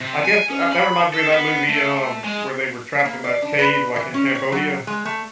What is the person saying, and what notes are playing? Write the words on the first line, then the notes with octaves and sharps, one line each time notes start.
I guess, uh, that reminds me of that movie, um, where they were trapped in that cave, like, in Cambodia
C3
G#5
C#4
B5
A4
B3
A3
G#3
A#3
D5
D4
B4
E3
C#4
C#5
F#3
G#3
A3